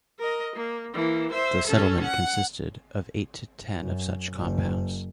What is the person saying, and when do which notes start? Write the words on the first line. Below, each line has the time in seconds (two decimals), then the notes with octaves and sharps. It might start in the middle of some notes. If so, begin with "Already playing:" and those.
The settlement consisted of eight to ten of such compounds.
0.19 A#4 D#5
0.56 A#3
0.94 E3 A#3
1.32 C5 E5
1.67 C#4 A4
2.04 F#5
3.77 F#2
4.38 F#1